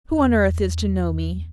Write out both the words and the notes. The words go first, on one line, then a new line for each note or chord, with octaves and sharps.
Who on earth is to know me?'
E2